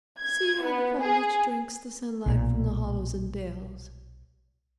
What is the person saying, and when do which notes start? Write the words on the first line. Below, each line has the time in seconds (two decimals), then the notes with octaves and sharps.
"See how the foliage drinks the sunlight from the hollows and dells."
0.20 G#6
0.64 B3
1.02 G#4
2.26 B1 A#2